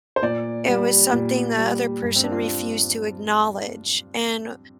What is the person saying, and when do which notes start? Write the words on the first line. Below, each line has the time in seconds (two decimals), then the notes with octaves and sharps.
it was something the other person refused to acknowledge, and
0.16 C5
0.22 A#2 D5
0.68 G3
1.13 A#2
1.57 G3
2.02 G2
2.16 C4
2.24 D4
2.32 F4